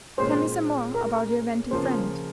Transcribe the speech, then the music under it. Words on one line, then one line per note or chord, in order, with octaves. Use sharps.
Tell me some more about your inventive friend.
A#2 G#3 C#4 C5
A#4
C#3 F3 A#3 F4 C5